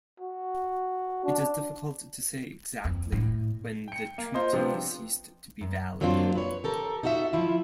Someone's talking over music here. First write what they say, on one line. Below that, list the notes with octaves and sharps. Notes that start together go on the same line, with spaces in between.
It is difficult to say exactly when the treaty ceased to be valid.
F#4
D4
F2
A2
G5 C#7
A#3
F4 C5 D#5
C3 F3 B3 D4 F4
F#2
F#2 F#3 A#3 C4 D4 F4
B4 C#5
G4 A4 A#4
D#4 F4 F#4 D#5 E5
F3 E4 F4